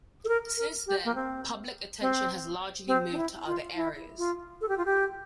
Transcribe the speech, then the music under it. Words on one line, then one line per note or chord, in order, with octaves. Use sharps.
Since then, public attention has largely moved to other areas.
A4
A#4
A#4
G4
A#3
C4
C4
C4
D4
E4
F4
E4
F4
A4
G4
F4
G4